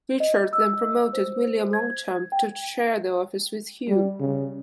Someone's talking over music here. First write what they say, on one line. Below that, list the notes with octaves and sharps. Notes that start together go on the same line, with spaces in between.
Richard then promoted William Longchamp to share the office with Hugh.
D#5
E6
C5
G#6
G5
G3
C#3